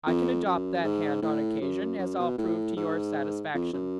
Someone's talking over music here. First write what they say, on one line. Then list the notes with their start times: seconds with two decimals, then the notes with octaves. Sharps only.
"I can adopt that hand on occasion, as I'll prove to your satisfaction."
0.07 F2
0.46 F#2
0.84 G#2
1.22 A2
1.61 F#2
1.99 F#2
2.19 B2
2.38 A2
2.77 G#2
3.54 F2
3.73 F#2